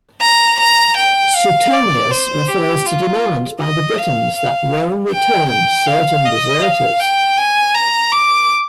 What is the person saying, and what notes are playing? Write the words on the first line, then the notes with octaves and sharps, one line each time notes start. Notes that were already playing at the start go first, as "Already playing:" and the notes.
Suetonius refers to demands by the Britons that Rome return "certain deserters".
A#5
A#5
G5
F5
D5
C5
G4
F4
D#5
F5
F5
G5
G5
F5
D#5
F5
G5
G#5
A#5
D6